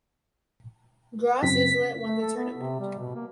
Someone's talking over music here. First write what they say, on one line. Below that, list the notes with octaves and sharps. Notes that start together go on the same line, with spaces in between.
Gros Islet won the tournament.
F#2 C#3 C4 B6
A3
A4
B3
C3
G3
B2
A#3